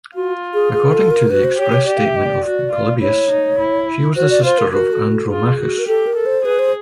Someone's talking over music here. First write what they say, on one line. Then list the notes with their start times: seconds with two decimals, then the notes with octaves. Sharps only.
According to the express statement of Polybius, she was the sister of Andromachus.
0.16 F4 F#4
0.54 G#4
0.73 G#4
0.92 A4
1.11 A#4
1.30 F#4 B4
1.44 C5
1.58 G4 C#5
1.73 C#5
1.87 G4 D5
1.97 F5
2.06 E5
2.16 D#5
2.26 D5
2.45 F#4
2.73 F4
3.01 E4 C#5
3.31 D#4
3.59 E4
4.16 F#4 C5
4.23 C#5
4.30 D5
4.45 F4 C5
4.59 A#4
4.73 F#4 A#4
4.93 A4
5.07 A#4
5.12 A4
5.30 F4 G#4
5.59 F#4
5.78 A#4
5.87 G4 A4
6.07 A#4
6.16 A4
6.26 C5
6.45 G#4 B4
6.59 C5